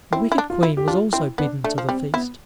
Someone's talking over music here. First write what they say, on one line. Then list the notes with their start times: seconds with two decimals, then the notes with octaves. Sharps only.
The wicked Queen was also bidden to the feast.
0.12 C4 E4
0.32 E4
0.38 D4
0.50 F4
0.63 E4
0.77 G4
0.88 D4 F4
1.13 C4 E4
1.38 B3 D4
1.64 A3 D4
1.78 F3
1.89 G3 C4
2.14 B3 E4